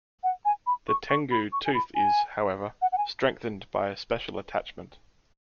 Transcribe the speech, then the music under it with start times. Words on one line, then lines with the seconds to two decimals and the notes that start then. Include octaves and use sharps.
The tengu tooth is, however, strengthened by a special attachment.
0.23 F#5
0.45 G#5
0.67 B5
0.89 C#6
1.09 C#6
1.31 B5
1.52 C#6
1.65 G#5
1.74 B5
1.95 G#5
2.82 F#5
2.92 F#5
2.98 G#5